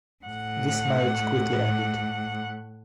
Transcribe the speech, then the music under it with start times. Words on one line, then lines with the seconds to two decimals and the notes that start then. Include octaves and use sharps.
This marriage quickly ended.
0.25 A2 F#5